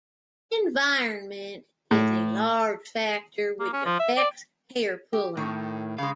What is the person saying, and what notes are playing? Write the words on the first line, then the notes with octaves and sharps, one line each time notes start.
Environment is a large factor which affects hair pulling.
A2
A#3
C#4
F3
E5
D5
G4
A2 D#3
C#3 G#3 F5